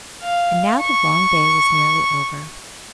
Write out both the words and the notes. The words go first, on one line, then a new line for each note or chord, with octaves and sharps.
And now the long day was nearly over.
F5
C#6